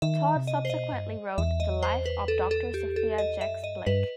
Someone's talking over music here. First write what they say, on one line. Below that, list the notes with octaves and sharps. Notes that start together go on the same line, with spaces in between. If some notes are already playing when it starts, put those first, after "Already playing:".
Todd subsequently wrote "The Life of Doctor Sophia Jex-Blake".
D#3 E5
C3
D#5
C5
B2 D#5
G2
E2 E5
D#5
C5
B4
A4
A4
G4
A4
D#5
F#2 E5
G2 D#5
G2 B4